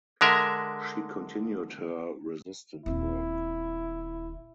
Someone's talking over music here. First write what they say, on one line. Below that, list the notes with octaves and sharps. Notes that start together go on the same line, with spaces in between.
She continued her resistance work.
D3 G#3 A#4 E5
D#1 C4 E4